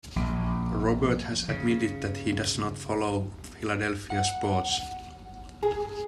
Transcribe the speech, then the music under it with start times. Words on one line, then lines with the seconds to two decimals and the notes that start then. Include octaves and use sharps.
Robert has admitted that he does not follow Philadelphia sports.
0.16 A#1
1.48 C#3
4.10 F#5
5.63 G#4